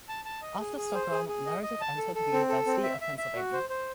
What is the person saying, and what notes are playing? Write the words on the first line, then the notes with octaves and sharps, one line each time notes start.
After Stockholm, Meredith entered the University of Pennsylvania.
A5
A5
D#5
G#4
G#4
C5
G#4
G#4
D#5
D#5
A5
A4
A4
C4
A4
C4
E5
E5
E5
F#4
C5
C5